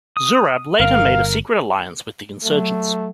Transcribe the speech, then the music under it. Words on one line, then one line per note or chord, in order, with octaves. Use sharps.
Zurab later made a secret alliance with the insurgents.
D#6
G1 A#4 F5
F#3 A3